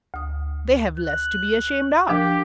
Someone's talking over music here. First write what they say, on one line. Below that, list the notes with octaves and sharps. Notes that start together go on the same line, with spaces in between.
They have less to be ashamed of.
D2 D#6
F#6
F3 D4 G4 A#4